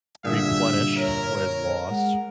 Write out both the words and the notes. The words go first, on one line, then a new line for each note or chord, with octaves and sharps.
replenish what is lost,
G2 A#2 D3 G#4 E5
A#4 C#5
C#5
G#3 F#5